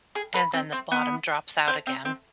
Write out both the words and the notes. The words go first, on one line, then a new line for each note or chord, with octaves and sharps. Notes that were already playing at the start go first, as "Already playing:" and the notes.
and then the bottom drops out again.
G#4
B4
C4
C4
B3
C4
C4
C4